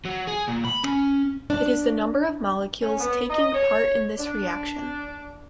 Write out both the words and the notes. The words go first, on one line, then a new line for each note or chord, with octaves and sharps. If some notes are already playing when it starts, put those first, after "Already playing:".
It is the number of molecules taking part in this reaction.
F#3
G#4
A#2
B5
C#4
D4
C#4
B3
D#5
C#5
D4